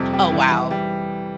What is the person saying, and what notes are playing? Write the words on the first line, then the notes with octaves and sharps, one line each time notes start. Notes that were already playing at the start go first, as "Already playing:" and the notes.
Oh, wow!
Already playing: F2 C3 G3
G3
E3
E3
G3